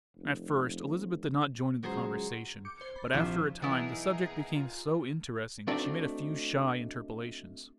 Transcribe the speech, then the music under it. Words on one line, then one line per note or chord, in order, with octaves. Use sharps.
At first Elizabeth did not join in the conversation, but after a time the subject became so interesting that she made a few shy interpolations.
F1
C#2 F#3 G#4 C5
D6 G6 C#7
C5 G#6
B5 A6
A#1 C3 F3 E4 C#6
B1 E3 B3 D#4 E4 G#4 A#4
F4
A3 C4 D4 D#4 F#4 D5